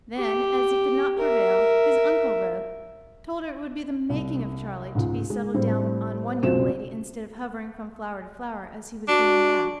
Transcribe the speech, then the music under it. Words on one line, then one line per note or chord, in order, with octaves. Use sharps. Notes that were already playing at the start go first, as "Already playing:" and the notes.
Then, as he could not prevail, his uncle wrote, told her it would be the making of Charley to be settled down on one young lady instead of hovering from flower to flower, as he was doing now.
G4
A#4 E5
C2
C#2 G#2
G#3
A2 G3 C4
C#2 F#2 B2 C4 E7
D4 F#4